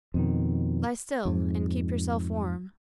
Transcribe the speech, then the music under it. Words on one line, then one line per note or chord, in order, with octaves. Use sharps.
Lie still, and keep yourself warm.'
F2 B2 D#3
F2 G#2